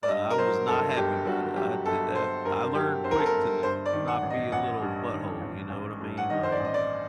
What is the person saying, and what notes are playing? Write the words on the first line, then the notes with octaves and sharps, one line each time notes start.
Uh, I was not happy about it, I did that I learned quick to not be a little butthole, you know what I mean? Like
D5
G2 D#5
A#4
F#3 C5
G1 A4
G1 G4
G2 F#4
F#3 G4
G1 A4
G1 C5
G2 A#4
F#3 G4
G1 C5
A#4
A4
A#4
G1
G2 C5
D5
D#3
F#5
A1
D#5
A1 F#5
G2
D#3
A1
A1
G2
F#5
D#3 D#5
C5
D5
A1 D#5
D5